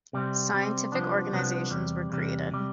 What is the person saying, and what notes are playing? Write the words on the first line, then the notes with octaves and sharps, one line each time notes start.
Scientific organisations were created.
C3 G3 C4
C3 G3 C4
C2 C3 F3 B3 D4
C2 C3 F3 B3 D4
E2 C3 G3
E2 C3 G3
C3 G3